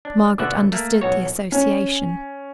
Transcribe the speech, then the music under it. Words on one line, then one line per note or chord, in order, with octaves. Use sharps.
Margaret understood the association.
D4
B2 D3 E5 F#5
A3 A#3
B1 F#4 C#5
C#4